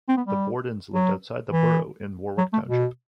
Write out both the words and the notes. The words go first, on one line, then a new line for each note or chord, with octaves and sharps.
The Bordens lived outside the borough in Warwick Township.
C4
B3
G3
F#3
E3
F#3
A3
B2